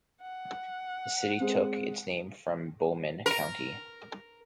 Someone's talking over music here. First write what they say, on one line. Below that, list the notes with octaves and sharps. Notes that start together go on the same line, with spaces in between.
The city took its name from Bowman County.
F#5
G#3 C4
A#4